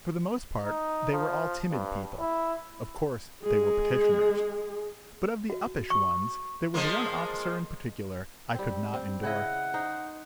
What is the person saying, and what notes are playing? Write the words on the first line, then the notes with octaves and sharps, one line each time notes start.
For the most part they were all timid people--of course, they were petitioners. But of the uppish ones there was one officer in particular I could not endure.
D#4
F3
G2
E4
G#3 G#4
F#4
C#6
F3 G#3 A#3
G3 C4
C4
C#3 E4 D#5 F#5
D#4 C5